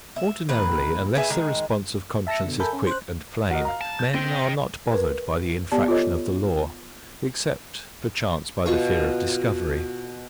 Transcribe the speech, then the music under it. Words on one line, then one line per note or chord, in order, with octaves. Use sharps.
Ordinarily unless the response of conscience is quick and plain, men are not bothered by the infraction of the law except, perchance, by the fear of discovery.
E5
A#2 D#3 B4
G#4 B4 E5
D#3 G#3
E5 A5 E6 A#6 C#7
B2 D3
A4 A#4 E5 G#5 B5 G6
C#4
C5 F#6
F#4 A#4 D#5
F5 A#5
A5
G6
C4 D#5 G5
A#4 B4
B3 G4 D5 A5
F4 A4 C#5 D#5
B2 F4 C#6